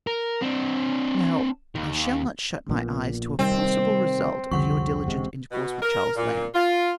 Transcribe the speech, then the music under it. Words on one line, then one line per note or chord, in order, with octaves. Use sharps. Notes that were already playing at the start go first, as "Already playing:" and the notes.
Now, I shall not shut my eyes to a possible result of your diligent intercourse with Charles Lamb.
A#4
C4 D4
D#2 D#3
A#1 A#2 B3
C3 D#3 G3 C4
C2 F2 D3 F#5 C#6
E1 C3 G#3
B2
A#4
A#2
F4